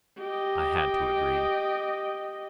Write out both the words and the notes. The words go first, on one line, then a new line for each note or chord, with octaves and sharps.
I had to agree.
G4 D#5